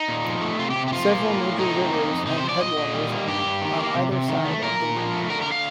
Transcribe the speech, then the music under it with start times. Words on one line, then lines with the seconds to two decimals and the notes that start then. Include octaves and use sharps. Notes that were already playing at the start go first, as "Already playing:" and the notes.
Several major rivers have headwaters on either side of the range.
Already playing: D#4
0.08 A#2
0.25 F3
0.42 A3
0.59 C3 F4
0.70 G4
0.76 C3
0.88 G4
0.92 F3 F4
1.08 A#3
1.26 A2
1.42 A2
1.59 A3 D#4
1.76 C4
1.94 A#3
2.10 F2
2.27 C3 D#4
2.38 C5
2.44 F3
2.49 D5
2.60 A#2 D#5
2.77 A#2
2.94 G3
3.12 A#3
3.28 G2 G4
3.45 G2
3.62 D#3
3.78 A#3
3.95 C3
4.12 C3
4.28 D#3
4.45 A3
4.62 A#2 A#4
4.80 A#2
4.97 F3
5.13 A3
5.30 D3 A#4
5.42 D3 A#4
5.52 F5